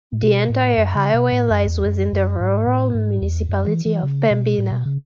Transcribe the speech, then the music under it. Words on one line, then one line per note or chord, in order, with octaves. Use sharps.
The entire highway lies within the Rural Municipality of Pembina.
A2
B2
A2
F#2
C#3
B2
A2
F#2
E2
F#2
F#2
G#2
A2
G#2
E2
F#2
E3
E3
C#3
B2
A2
B2
C#3